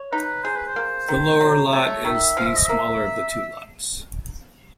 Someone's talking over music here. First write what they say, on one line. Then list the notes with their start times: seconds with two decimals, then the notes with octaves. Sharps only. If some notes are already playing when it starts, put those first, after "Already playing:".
The Lower Lot is the smaller of the two lots.
Already playing: C#5
0.12 D#4 B4
0.44 G#4 C5
0.56 B4
0.67 C5
0.76 A#3
1.09 D#3
1.41 F#3
1.72 A3 C#5
2.05 D#3 E5
2.37 F3 F5
2.46 E5
2.56 D#5
2.65 A#3 E5